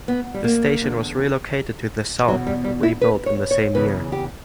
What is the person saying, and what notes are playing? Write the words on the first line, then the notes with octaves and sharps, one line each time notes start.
The station was relocated to the south and rebuilt in the same year.
B3
G3
A#3
E2 D3
E2 B2 F#3
G3
G3
E4
B4
C#5
C#5
E2 C#3 E3 B4
G4